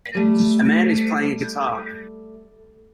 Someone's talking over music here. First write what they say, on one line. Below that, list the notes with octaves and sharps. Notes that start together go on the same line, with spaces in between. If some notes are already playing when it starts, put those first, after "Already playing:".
A man is playing a guitar.
G3 A3